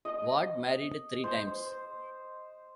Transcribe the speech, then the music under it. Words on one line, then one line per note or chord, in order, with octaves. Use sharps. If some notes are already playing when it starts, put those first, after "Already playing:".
Ward married three times.
D#5
C5